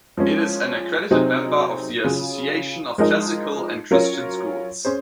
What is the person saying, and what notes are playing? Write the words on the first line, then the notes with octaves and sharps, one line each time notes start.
It is an accredited member of the Association of Classical and Christian Schools.
F3 G#3 C#4
C3 F#3 C4 D#4 G#4
C#3 F#3 C#4 F4 G#4
F3 G#3 D#4 A#4 D#5
F#3 C#4 F4 A#4 C#5
C#4 G#4 C5